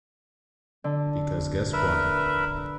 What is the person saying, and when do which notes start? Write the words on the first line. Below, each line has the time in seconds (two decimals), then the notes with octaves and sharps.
Because guess what?
0.84 D3
1.73 A#4 B4 E5